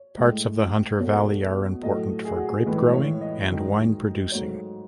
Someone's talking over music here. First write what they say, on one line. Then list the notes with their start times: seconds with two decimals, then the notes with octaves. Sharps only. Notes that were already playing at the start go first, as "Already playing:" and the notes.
Parts of the Hunter Valley are important for grape growing and wine producing.
Already playing: C#5
0.18 A2 G#3
1.00 B2 A3 C#5
1.83 A2 F#3 A3 D#5
2.25 G#4
2.36 F#4
2.46 G#4
2.66 A2 E3 G#3 B4
2.93 C#5
3.21 D#5
3.50 F#2 D#3 G#3
4.32 G#2 F#3 A3 C#5